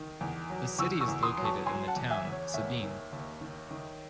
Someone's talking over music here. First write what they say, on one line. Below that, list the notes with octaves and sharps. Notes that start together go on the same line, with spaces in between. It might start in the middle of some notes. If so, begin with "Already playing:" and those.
The city is located in the town, Sabin.
Already playing: D#3
E2
F#3
E2 C#6 E6
C#6 E6
E2
C6 D#6
F#3
A5 C#6
F#3 G#5 C6
F#5 A5
E2
E5 G#5
E2
C#5
D#2 C#5 E5
D#3
D#2
D#3
D#3